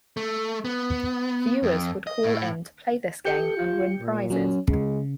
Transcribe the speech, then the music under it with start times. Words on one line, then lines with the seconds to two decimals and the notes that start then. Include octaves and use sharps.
Viewers would call in to play this game and win prizes.
0.17 A3
0.65 B3
1.63 F2
2.07 D#5
2.24 A2
3.25 G4 A4 G6 C#7
3.57 F4
4.00 A#2
4.30 F#3 C#4
4.69 C#3 G#3